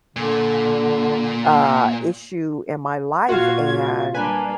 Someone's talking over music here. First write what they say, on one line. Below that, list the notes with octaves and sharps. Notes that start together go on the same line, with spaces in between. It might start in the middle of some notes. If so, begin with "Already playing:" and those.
uh, issue in my life, and
A#2 D3
A#2 F4 F#4 F5 G#6
G3 A#3 D4 B4 G#5